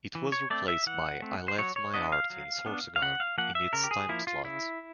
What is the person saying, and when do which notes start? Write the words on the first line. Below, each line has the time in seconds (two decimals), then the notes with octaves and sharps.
It was replaced by "I Left My Heart in Sorsogon" in its timeslot.
0.15 E3
0.32 C#5
0.50 A3 C4 D5
0.68 E5
0.86 E3 F#5
1.22 A3 C4
1.48 C5
1.58 F#3 C#5
1.76 C#5
1.94 B3 D4 D#5
2.12 F5
2.30 F#3
2.66 B3 D4
2.96 F5
3.02 C#3 F#5
3.20 F5
3.38 F3 A#3 F#5
3.55 E5
3.73 C#3 A#4
3.84 G4
3.91 G#4
4.09 F3 A#3 E4
4.27 F4
4.45 C#3 E4